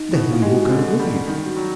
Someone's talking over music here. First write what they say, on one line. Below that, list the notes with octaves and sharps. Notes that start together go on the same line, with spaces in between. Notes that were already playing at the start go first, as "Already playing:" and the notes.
"Then we will go with you."
Already playing: D#4
B2 E4
F4
G#3 G4
F#4
D3
G3
D#3
F#4
F#3